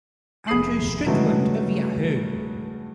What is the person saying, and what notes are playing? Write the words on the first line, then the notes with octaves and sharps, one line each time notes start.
Andrew Strickland of Yahoo!
F1 G#4 B5 D#6 C7 F#7
G2 C#3 E3 F#3 G#3 A3